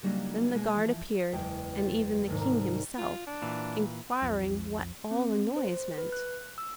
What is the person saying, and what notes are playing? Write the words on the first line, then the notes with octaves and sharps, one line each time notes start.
Then the guard appeared, and even the King himself, inquiring what all the noise meant.
C#3 F#3 G3 A#3 D4 D#4
B2 G#3 A#3
E3 F3
F#1 E2 G#3 G5
A6
C2 G#2 C3 D#3 G#3 A3
F4
D4
A#2 E3
B1 F2 F3
C4
C5
B4
F#6
E6